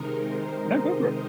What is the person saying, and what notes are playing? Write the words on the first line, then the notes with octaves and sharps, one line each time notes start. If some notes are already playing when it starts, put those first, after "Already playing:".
No, go for it.
Already playing: C3 D#3 G#3 D#4 A#4
C5
D#5